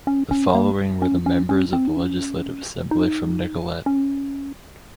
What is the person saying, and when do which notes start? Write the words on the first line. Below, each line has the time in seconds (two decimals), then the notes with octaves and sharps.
The following were the members of the Legislative Assembly from Nicolet.
0.07 C#4
0.31 C#4
0.54 A#3
1.02 C#4
1.26 C#4
1.49 C#4
1.73 C4
1.87 D#4
1.97 C#4
2.91 D#4
3.86 C#4